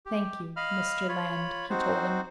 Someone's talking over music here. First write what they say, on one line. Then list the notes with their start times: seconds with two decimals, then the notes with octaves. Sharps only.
"Thank you, Mr. Land," he told him.
0.06 G4
0.56 D#5 F5 B5 F6
1.09 F4 C#5 B5
1.70 C4 D#4 F#4 C5